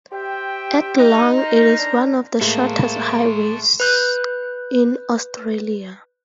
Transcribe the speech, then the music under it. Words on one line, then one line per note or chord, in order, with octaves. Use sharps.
At long it is one of the shortest highways in Australia.
G4 C5 E5 G5
D#4
A#4 C5 A#5
D4
A2 G#3 A#3 A4 C5
B4 F#6 G6